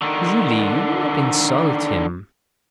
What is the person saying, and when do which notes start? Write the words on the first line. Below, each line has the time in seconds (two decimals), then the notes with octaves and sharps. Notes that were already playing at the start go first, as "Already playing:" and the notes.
"Julie--you need not insult him."
0.02 D3 D#3